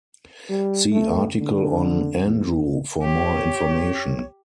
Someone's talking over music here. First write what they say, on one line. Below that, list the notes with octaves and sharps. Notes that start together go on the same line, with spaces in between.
See article on "Andrew" for more information.
G3
A3
D3
E2
G4 C#5